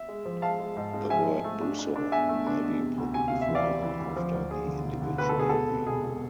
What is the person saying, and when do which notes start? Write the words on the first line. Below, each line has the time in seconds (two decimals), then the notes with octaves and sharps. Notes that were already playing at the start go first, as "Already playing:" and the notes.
The word "buso" may be put before or after the individual name.
Already playing: E5
0.08 G#3
0.26 F3
0.42 G#3 F5 A5
0.60 G#3
0.77 G#2
0.94 G#3
1.10 F3 E5 G#5
1.27 G#2
1.44 A3
1.61 D4
1.79 D4
1.96 D4
2.12 E2 E5 G#5
2.29 A3
2.47 D4
2.64 E2
2.81 C3
2.98 D2
3.14 C3 G#5
3.28 C3 F5
3.41 E5
3.49 E3
3.55 D5 F5
3.66 C3
3.83 E3
4.00 D2
4.16 F3
4.34 D2
4.51 F3 G#4
4.68 D3
4.85 E1
5.02 D3
5.18 D2 B4
5.29 A4
5.36 E1 G#4
5.49 E1 A4
5.70 C3
5.87 E1 G#4
6.04 E1